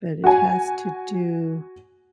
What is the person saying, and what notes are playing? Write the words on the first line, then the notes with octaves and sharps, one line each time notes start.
But it has to do
F#4 G#5